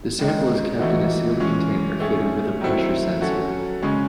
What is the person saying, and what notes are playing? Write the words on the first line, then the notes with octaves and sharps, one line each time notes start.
The sample is kept in a sealed container fitted with a pressure sensor.
D#3 G#3 D#4
E3 A3 D#4 F#4
E3 G#3 C#4
A3 C#4 G#4
D#3 F#3 A3 C4 E4
F#3 C#4 F#4 A4
C#3 G#3 C#4